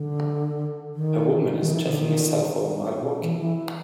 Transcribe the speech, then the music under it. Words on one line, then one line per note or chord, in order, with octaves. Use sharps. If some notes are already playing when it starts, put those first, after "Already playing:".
A woman is checking a cellphone while walking.
Already playing: D3
D#3
E3
D#3
E3
D#3
D3
D#3
E3
E3